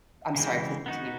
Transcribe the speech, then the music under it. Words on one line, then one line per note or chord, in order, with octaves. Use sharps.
I'm sorry, please continue.
C#3 E3 G#3 C4
B3 D#4 F#4